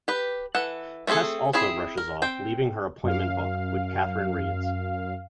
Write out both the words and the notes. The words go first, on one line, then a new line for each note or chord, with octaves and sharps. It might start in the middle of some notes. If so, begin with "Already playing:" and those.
Tess also rushes off, leaving her appointment book, which Katharine reads.
G4 B4
E3 A4 F#5
A3 C4 F#4 G#4 A4
C4 E4 G#4 B5
A#4
C4 G5
F#2 F5